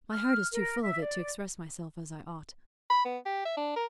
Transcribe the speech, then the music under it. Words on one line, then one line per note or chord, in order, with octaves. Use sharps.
My heart is too full of it to express myself as I ought.
F6
A#4
E5
D5
B5
B3
G4
E5
D4
A#4